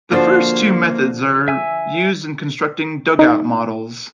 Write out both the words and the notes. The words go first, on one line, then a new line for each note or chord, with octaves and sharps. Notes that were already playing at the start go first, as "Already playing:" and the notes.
The first two methods are used in constructing dugout models.
D3 F3 A#3 F#4 C5
E5 G#5 E6
D#4